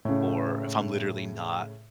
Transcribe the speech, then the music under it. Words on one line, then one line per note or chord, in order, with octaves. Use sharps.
or if I'm literally not
A2 C#3